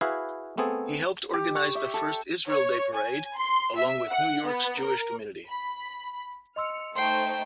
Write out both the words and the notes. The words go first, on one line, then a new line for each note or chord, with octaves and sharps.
He helped organize the first Israel Day Parade, along with New York's Jewish community.
E4 F#4 G#4 B4 F5
A3 B3 C4 G#4 A4
G4
C#6
E5
A4
C#5
G#5
C6
E5
F#5
B3
A#4
B5
D#5 C6 E6 F6 C#7
A3 D#4 C5 G5 C6 C7